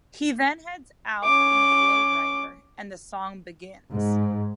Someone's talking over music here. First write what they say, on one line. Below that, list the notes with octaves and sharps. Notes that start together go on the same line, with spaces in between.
He then heads out in his lowrider and the song begins.
C#4 D6
G#2